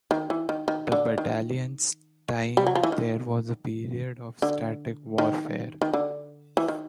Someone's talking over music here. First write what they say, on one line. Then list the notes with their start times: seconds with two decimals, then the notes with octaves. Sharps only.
The battalion's time there was a period of static warfare.
0.11 D#3
0.30 E3
0.49 D#3
0.68 D#3
0.92 D3
1.18 D#3
2.57 G3
2.66 F#3
2.75 F3
2.83 E3
2.92 D#3
4.42 D3
5.18 D#3
5.82 D#3
5.93 D3
6.57 E3
6.68 D#3